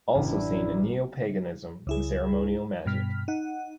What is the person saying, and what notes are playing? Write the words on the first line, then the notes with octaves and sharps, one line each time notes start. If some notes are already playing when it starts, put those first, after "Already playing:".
Also seen in Neopaganism and Ceremonial Magic.
A1 F#2 D4 E4
C#2 E4 G#4
G2 B2 F6 B6
D#4 F#5